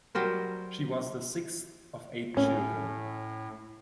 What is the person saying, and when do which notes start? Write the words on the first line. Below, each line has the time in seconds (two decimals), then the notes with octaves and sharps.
She was the sixth of eight children.
0.15 F#3 G3 A#4 C5
2.37 A2 C#4